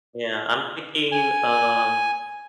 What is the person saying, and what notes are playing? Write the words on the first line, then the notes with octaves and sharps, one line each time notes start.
Yeah, I'm thinking uh
G#5